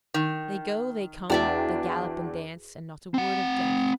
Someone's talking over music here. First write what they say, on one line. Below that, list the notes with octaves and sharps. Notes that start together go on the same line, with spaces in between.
They go, they come, they gallop and dance, and not a word of death.
D#3
E2 D4 F#4 D5 E5 G5
C4 F#5